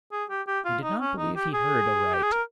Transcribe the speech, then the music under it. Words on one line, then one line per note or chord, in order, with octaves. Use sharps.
He did not believe he heard aright.
G#4
G4
G4
F4
D#4
C#4
D#4
G4
G#4
G4
G#4
A#4